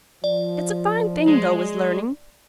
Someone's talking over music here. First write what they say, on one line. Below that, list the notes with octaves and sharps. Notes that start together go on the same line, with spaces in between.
'It's a fine thing, tho', is learning.
F3 D5
G#3